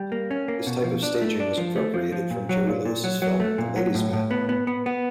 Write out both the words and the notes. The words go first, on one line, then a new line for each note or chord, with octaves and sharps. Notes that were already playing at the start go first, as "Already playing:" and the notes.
This type of staging was appropriated from Jerry Lewis's film "The Ladies Man".
Already playing: G3
A#3
C#4
A#3
B2
F3
D4
A3
D4
F3
A3
F3
F3
A#2
F#3
A#2
A#2
F#3
F#3
A3
A#2
F#3
A2
A2
B3
B3
B3
B3